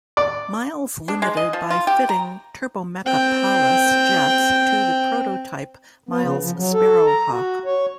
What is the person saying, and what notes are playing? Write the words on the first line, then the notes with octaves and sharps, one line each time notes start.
Miles Limited by fitting Turbomeca Palas jets to the prototype Miles Sparrowhawk.
D5
D4
G#3
D#5
F3
F4
G4
A#5
C4 G5
B3
C#3
F3
F#3
A4
A#5
F#4
C#5